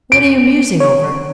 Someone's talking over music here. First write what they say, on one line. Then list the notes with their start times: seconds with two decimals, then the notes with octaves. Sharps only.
"What are you musing over?"
0.12 D7
0.80 C#5